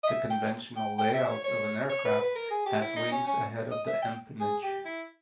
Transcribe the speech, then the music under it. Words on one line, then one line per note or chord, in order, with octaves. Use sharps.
The conventional layout of an aircraft has wings ahead of the empennage.
D#5
E5
G5
G5
G5
E5
C#5
C#5
C#5
B4
B4
A#4
G#4
G4
E4
D#4
C#4
C#4
D#5
E5
G5
G#4
G4
E4